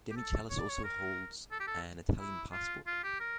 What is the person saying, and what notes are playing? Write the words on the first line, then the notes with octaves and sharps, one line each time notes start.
Demichelis also holds an Italian passport.
G4
A4
C#5
D5
C#5
A#4
A4
G4
A4
E4
F4
F4
G4
A#4